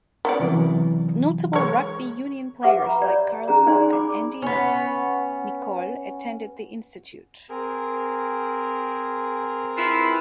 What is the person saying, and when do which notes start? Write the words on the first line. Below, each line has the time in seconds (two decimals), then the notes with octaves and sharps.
Notable rugby union players like Carl Hogg and Andy Nicol attended the Institute.
0.25 B3 C#4 D5
0.40 C3 E3 F#3
1.53 G#3 C#5
2.63 G4 B4 E5 F#5 C#6 D6
2.82 A#5 B5 C#6
3.02 C#5 D5
3.48 C#4 G#4 A#5
3.66 D#4 G#4 D5 G#5 C6
3.89 G#5 B5 D6
4.42 B3 C#4
7.50 C4 G#4 A#4
9.76 E4 F4 B4